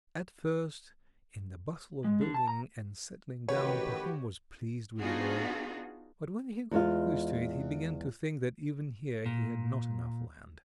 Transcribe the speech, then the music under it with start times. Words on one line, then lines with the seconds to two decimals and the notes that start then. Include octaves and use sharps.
At first, in the bustle of building and settling down, Pahom was pleased with it all, but when he got used to it he began to think that even here he had not enough land.
2.04 G#3
2.21 D3
2.34 A5
2.48 A#5
3.48 A1 D#3 F#4 G4 B4 C#5
4.99 B3 D4 D#4 F4 F#4 G#4
6.71 E2 G#3 F4
9.26 A#2